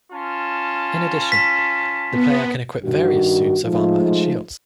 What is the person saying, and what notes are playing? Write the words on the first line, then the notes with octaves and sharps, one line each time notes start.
In addition, the player can equip various suits of armor and shields.
C#4 F4 A5
B6
B3
G2 D#3 F#4
F3 G#3 A3 D#4 F4